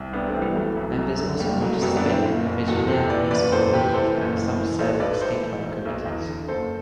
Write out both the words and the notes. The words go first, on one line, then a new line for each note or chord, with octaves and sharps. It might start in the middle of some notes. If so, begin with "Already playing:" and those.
Members also participate in the Virginia Municipal League and some serve on statewide committees.
Already playing: C2
C3 B3 D4
A3 C4
E3
G3 B3
C2 F#3 A3
C2
F#2
D3
A3
F#1 G3
F#1 F#3 A3
F#2 G3 B3
B3 D4
D3
C4 E4
F#1
F#1
E2 F#4 A4
C3 A4 C5
E3 B4 D5
F#1 B4 D5
E2 A4 C5
C5
C3 G4 B4
E3 A4 C5
F#1
A2
E3
B1 A4 C5
B1 B4 D5
A2 A4 C5
E3
B1
B1
E2
D3
F#1 A4 C5